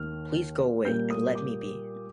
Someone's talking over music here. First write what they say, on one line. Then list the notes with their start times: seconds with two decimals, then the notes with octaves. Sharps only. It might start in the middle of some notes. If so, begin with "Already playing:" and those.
Please go away and let me be!
Already playing: D#2 D#3 F6
0.85 A#2 G3 A#3 G6
1.10 D#6
1.35 D6